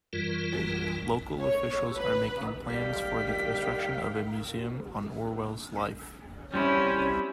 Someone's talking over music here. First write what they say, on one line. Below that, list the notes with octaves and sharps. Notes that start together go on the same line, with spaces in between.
Local officials are making plans for the construction of a museum on Orwell's life.
F#2 E3 G3 F4 A#4
C#5
B4
D#3 G3 F5 G5 B6
G3 C4 C#4 E4